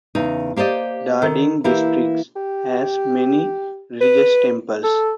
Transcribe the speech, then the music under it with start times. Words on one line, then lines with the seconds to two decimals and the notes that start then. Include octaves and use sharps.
Dhading District has many religious temples.
0.15 E2 C#3 D#4
0.56 A#3 G4 C5 D5 D#5
1.22 D#3 A4
1.64 E3 A#3 E4 G4
2.36 G4
4.01 B4
4.84 A4